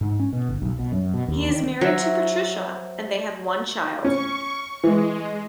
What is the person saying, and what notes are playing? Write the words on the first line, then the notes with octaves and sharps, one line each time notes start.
He is married to Patricia and they have one child.
G#2
C#4
B2
G1
B1
B2
F#2
B2
D#2
D#3
F#3 A#4 C5 E5
C#4 C#6
E3 G#3